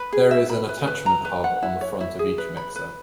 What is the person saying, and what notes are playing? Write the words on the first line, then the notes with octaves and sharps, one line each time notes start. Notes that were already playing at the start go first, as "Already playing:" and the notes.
There is an attachment hub on the front of each mixer.
Already playing: B4
G#4
E5
B5
B4
B4
A#5
B4
F#5
E4
C#5
E4
G#4
B4
B5
B4